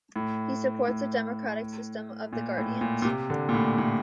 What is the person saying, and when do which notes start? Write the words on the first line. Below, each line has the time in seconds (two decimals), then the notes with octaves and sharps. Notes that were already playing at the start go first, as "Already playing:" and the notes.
He supports the democratic system of the Guardians.
0.16 A2
0.88 A2
2.33 A#2
2.58 A2
2.81 A#2
3.02 A#2
3.05 C3
3.30 D3
3.49 A#2
3.54 A2
3.78 A2